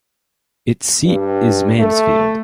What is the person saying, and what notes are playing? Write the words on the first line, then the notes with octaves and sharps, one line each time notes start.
Its seat is Mansfield.
G2
A3